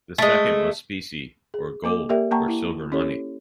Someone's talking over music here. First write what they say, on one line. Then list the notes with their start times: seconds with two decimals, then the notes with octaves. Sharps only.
The second was specie, or gold or silver money.
0.18 G#3 A3
1.54 G#4
1.84 A#3 A4 D#5 D6
2.09 A#3 G4 A#4 D5 E5 G5
2.31 A#3 F#5 G5 A5 A#5 C#6
2.48 E4
2.92 C#4 E4 G4 A4 C#5